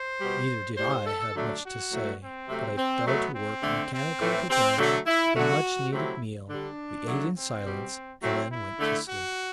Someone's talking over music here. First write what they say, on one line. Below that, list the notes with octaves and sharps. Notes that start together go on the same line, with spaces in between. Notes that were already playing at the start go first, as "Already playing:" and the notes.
Neither did I have much to say; but I fell to work, mechanically preparing the much-needed meal. We ate in silence and then went to sleep.
Already playing: C5
B2 G3
A2 G3 C5
A4
D3 F#3 A3 D4
F#4
A2 F#3 A3
C4
C3 F#3 A3
C4
B2 F#3 A3 B3
C4
D3 A3
C4
A2 E3 A3
C4
D3 F#3 A3
E4
D3 F#3 A3 F#4
C3 F#3 A3 E4
D3 G3 D4
D3 F#3 A3
C4
B2 G3
A2 F#3 A3 C4
E4
D3 A3
F#4